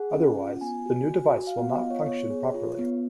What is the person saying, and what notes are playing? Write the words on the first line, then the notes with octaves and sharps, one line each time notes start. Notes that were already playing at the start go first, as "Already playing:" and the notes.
Otherwise, the new device will not function properly.
Already playing: G#4 F#5
C#4
F4
B3 G#5
F#4
F#4
F#4
F5
B3 F#5
F5
D#5
F4
C#5
B3 C#5
G#4
F4
B3